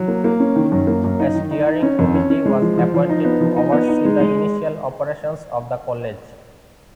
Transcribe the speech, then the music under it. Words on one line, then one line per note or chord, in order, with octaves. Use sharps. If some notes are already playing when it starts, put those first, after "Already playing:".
A steering committee was appointed to oversee the initial operations of the College.
Already playing: F#3
A#3
A#3
C#4
D#3
F#2
A#3
F#2
D#4
D#3
D#4
D#4
C#4
F2
C#4
C#4
G#3
F3
F3
F3
D#4
B3
F3
D#4
B3
D#4
G#3
G#3